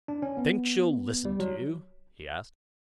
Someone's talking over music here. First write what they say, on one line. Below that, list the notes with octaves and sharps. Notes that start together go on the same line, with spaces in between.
"Think she'll listen to you?" he asked.
D4
C#4
B3
G3
F#3